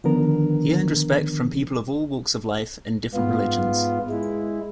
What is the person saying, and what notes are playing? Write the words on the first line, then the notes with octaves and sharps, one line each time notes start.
He earned respect from people of all walks of life and different religions.
D3 D#3 F3 B3 D4 A#4
G#2 B3 F4
G#3 E4